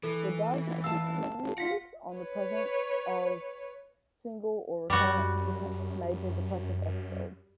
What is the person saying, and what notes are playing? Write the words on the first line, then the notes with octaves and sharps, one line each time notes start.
The diagnosis hinges on the presence of single or recurrent major depressive episodes.
E3 A4
F5 A5 E6
F4 F#5 A#6 B6
B4 C#5
F#2 G3 F#4